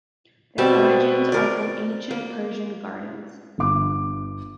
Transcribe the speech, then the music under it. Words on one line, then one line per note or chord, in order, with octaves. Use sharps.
Their origins are from ancient Persian gardens.
B2 G3 C4 A5
A#4 D5
A#3
G1 D6